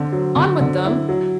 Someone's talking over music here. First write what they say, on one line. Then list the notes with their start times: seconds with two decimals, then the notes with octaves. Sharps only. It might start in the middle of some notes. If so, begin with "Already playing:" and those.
On with them!
Already playing: D3 C4
0.13 F#3
0.36 D3
0.61 D3
0.85 E4
1.09 F#3